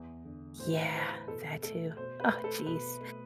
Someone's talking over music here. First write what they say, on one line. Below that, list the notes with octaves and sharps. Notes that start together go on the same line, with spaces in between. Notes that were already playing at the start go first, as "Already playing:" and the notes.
Yeah, that too. Oh, jeez.
Already playing: E2 E3
D3
A2 C5
B4
E3 C5
B4
B2 A4
A3 A4
B2 C5
B4
A3
A4
B2 B4
A3